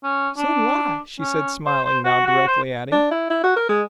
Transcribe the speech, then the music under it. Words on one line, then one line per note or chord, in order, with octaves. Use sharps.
"So do I," she said, smiling now directly at him.
C#4
D4
C#4
C5
C5
F#4
F#4
C5
D4
E4
E4
F#4
A#4
G#3